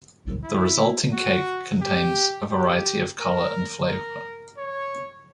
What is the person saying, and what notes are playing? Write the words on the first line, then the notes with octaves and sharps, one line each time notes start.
The resulting cake contains a variety of colour and flavour.
E4
F#4
G4
G4
A#4
A#4
C#5